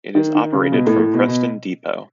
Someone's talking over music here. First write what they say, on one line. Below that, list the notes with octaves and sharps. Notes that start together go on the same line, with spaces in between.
It is operated from Preston depot.
D#3
D#3
C#3
B2
A2
A2
B2
B2